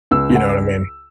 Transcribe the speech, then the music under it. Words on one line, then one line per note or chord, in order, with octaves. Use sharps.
You know what I mean?
C#2 E6
C#2
F#5